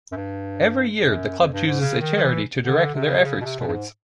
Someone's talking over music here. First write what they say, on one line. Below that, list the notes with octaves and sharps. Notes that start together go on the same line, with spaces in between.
Every year the club chooses a charity to direct their efforts towards.
F#2
G2
F#2
F2
G2
G#2
C#3
D#3
D#3
E3
D3
C3
C#3
C3
C#3
B2
C3
B2
G2
G#2